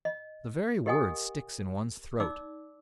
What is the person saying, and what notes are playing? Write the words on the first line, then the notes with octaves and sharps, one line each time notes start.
The very word sticks in one's throat.
D#5
G4 A#4 D#5 F#5 G#5 D#6
D#4 D5 D6 E6